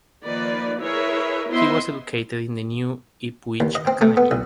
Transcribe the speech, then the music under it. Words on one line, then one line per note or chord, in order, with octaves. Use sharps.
He was educated in the New Ipswich Academy.
D#3 F3 A#3 B4 D5
E4 G#4 A#4 B4 C#5 E5
B3 E4 C5 D#5 E5 C6
D#2
D#5
C4
A3
B3
B1